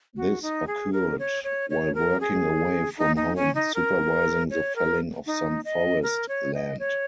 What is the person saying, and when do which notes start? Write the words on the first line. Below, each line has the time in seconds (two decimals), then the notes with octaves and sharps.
This occurred while working away from home supervising the felling of some forest land.
0.17 F#4
0.42 D#4
0.67 G#4
0.93 A#4
1.19 C#5
1.44 C#5
1.70 C#5
1.95 A#4
2.21 G#4
2.98 D#4
3.16 D#4
3.36 C#4
3.55 D#4
3.74 A#4
4.50 C#5
4.76 A#4
5.26 D#4
5.65 D#5
6.03 A#4
6.28 C#5
6.55 D#5
6.79 C#5